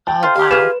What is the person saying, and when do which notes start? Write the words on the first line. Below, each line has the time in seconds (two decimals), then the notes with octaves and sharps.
Oh, wow.
0.07 G5 A5
0.23 F4 C5
0.36 G4 F5
0.51 F4 G#4 B4 E7